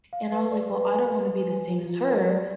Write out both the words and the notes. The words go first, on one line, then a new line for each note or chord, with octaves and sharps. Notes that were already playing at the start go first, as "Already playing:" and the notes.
and I was like, "Well, I don't wanna be the same as her,
F5
B4
D5
B4
G#5
B4
B4
G#5
F4
F4
A#4
D5